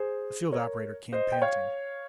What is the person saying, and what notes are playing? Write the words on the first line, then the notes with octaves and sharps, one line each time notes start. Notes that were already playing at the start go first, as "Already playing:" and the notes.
The field operator came panting.
Already playing: G#4 C5
A#4 C#5
C5 D#5
G5
C#5 F5